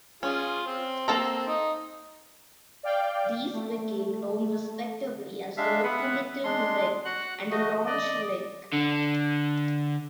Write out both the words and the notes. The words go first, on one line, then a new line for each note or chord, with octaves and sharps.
These became known respectively as the 'locomotive link' and the 'launch link'.
C#4 F4 G#4
C4
A#3 C4 A4 A#5
D#4
D5 F5 G5
A3
G#3 D4 E5 F5
B3 B4 E5 F#5
G#3 D4 C6
F#4 F#5 F#6
A3 F#4 D#5
D5 D#5
D3